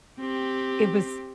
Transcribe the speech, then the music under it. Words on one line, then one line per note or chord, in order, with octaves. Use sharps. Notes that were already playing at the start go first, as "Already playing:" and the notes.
it was
C4 G4